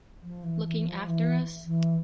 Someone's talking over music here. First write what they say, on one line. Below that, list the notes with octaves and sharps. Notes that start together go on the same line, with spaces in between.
Looking after us.
F3
E3
E3
F3
E3
E3